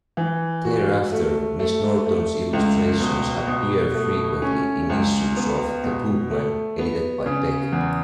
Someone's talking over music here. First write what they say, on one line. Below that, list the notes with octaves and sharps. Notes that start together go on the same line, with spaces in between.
Thereafter, Miss Norton's illustrations appear frequently in issues of "The Bookman" edited by Peck.
E3
F#4
A3
A3
A3
C#2
B2
B2
A3
C#4
C#2
B3
B2
A3
B3
C#3
E2